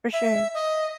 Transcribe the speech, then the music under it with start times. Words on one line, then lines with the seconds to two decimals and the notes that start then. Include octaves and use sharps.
for sure.
0.13 E5
0.54 D#5